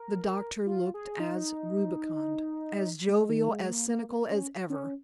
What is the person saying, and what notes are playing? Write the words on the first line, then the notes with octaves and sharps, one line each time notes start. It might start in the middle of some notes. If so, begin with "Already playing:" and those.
The doctor looked as rubicund, as jovial, as cynical as ever.
Already playing: A#4
F4
G#4
D#4
G#3
D#3
G#3
A#3
A#3
A#3
C#4
C#4